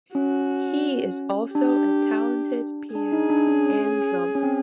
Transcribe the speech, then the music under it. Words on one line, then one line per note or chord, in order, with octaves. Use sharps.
He is also a talented pianist and drummer.
C#4 F#4
D4 G4
D4 G#4
D#4
D4
C#4
C#4
C#4
C4